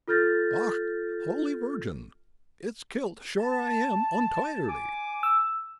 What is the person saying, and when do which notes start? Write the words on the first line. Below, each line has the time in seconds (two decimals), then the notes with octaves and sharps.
"Och! holy Vargin! it's kilt sure I am ontirely!"
0.08 F4 A4 F6 G6 A6 A#6
3.39 A5
4.68 G#5 D6
5.23 E6